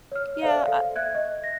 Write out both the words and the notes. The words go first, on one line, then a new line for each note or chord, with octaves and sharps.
Yeah I
C#5 F6
A4 C5 D5 E5 F5
A4 F5
E5 F#6 G#6
D#5
A#6